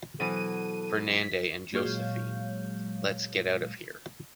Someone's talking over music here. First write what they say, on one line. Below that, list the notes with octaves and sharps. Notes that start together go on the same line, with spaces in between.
Fernande and Joséphine, let’s get out of here!
B2 E3 F#3 A4 C5 D#7
B6
A#2 F#3 G#3 C#5 F5 G6